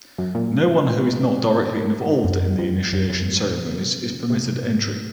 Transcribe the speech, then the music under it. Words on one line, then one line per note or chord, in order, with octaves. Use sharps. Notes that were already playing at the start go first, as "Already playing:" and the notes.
No one who is not directly involved in the initiation ceremonies is permitted entry.
F#2
A#2
G#2
F3
G#2
F#2
F2
F#2
F#2
G#2
A#2
C3
C#3
C3
C#3
C3
G#2